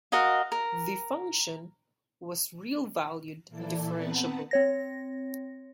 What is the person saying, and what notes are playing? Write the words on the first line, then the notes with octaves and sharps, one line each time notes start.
The function was real-valued and differentiable.
F#4 A#4 D#5 F5
A#4
A#2 E3 E4 A4 D5 A5
B3 C4 B4 F#5 A5 A#5
C4 C#5 A#6